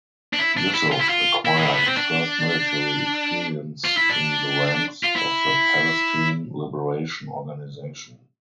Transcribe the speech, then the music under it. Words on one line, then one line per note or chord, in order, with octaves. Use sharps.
Yusuf acquired his first military experience in the ranks of the Palestine Liberation Organization.
D4
E4
D4
E4
F4
E4
F4
E4
G#3
A3
B3
C4
D4
F4
E4
D4
F4
E4